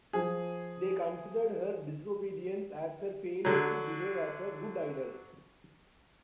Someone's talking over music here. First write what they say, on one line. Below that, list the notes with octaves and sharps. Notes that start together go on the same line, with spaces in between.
They considered her disobedience as her failure to behave as a good idol.
F3 G#4
D3 F#3